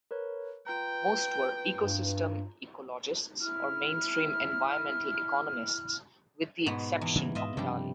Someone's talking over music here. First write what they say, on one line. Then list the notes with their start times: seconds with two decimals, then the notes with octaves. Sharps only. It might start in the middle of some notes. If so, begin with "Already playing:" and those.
Most were ecosystem ecologists or mainstream environmental economists, with the exception of Daly.
0.11 A#4 B4 C#5
0.67 F4 B4 G5 A#5
1.77 G2
3.40 E4 F6
6.66 G#2 B2 B3
7.01 E2
7.15 C#3 E3 G3
7.35 G#2 F4 D#5 E5
7.57 G2 C3 F3 G3 G4